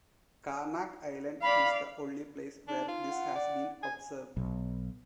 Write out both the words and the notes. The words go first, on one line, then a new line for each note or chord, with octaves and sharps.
Carnac Island is the only place where this has been observed.
D5 F5 B5
D4 D#4
F4
F#5
D5
G#5
B1